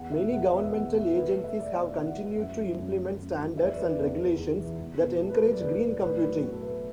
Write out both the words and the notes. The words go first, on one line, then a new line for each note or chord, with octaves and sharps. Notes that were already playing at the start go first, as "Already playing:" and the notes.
Many governmental agencies have continued to implement standards and regulations that encourage green computing.
Already playing: E2 F#5
B2 E5
E2 F#5
B3 E5
E5
E2 F#5
B2 E5
B2 B4
A4
A3
E5
A3 D5
B2 E5
D5
B2
F#5
A3
E5
F#2 E5
F#3
F#2
A3
F#2
F#3
E2 E5
D5
E3 B4
D5
E2
B3
E2
E3
E2
B2
A3
B4
F#3 A4
D5
E2 B4
B2 D5
A2 B4
D5
F#3 B4
A2 F#4
A4
A3 B4